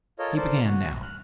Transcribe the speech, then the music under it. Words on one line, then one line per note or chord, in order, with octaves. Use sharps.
He began now.
F4 A4 A#4 C#5 D#5
A4 A#4 C5 D5
F#4
F6 F#6